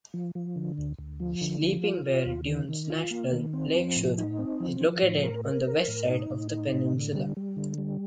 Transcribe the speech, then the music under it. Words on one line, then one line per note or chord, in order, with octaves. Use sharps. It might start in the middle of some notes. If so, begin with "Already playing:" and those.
Sleeping Bear Dunes National Lakeshore is located on the west side of the peninsula.
F3
F3
D3
D2
D2
F3
D3
F3
F4
F4
D#2
D#3
D#3
F4
A#3
D#3
C4
F3
A2
D#4
C4
F3
F3
A2
A#4
A#4
A#4
A2
D#4
A2
D#4
A2
D3
G3
G3
D3
G3